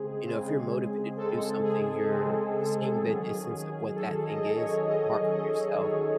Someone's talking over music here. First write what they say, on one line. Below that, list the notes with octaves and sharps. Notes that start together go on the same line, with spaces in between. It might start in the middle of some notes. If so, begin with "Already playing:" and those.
you know, if you're motivated to do something, you're seeing the distance of what that thing is apart from yourself,
Already playing: C#3 G#3 C4 G#4
C#3 G#3 C4
C#3 G#3 C4 A4
G#4
C#3 G#3 C4
D#3 F#3 C#4
D#3 F#3 C#4 A4
D#5
C#5
D#3 F#3 C#4 D#5
D#5
D#3 F#3 C#4 C#5